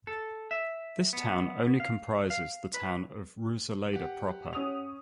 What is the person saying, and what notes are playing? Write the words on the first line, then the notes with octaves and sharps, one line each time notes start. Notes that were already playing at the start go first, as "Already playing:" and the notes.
This town only comprises the town of Ruiselede proper.
A4
E5
B3
F5
F5
B4
G4 F#5
C#4 D#6 F7